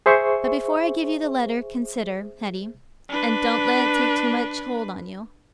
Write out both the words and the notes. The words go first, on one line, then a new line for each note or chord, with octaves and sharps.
But before I give you the letter, consider, Hetty, and don't let it take too much hold on you.
G#4 C5 E5 C#6
D4 B4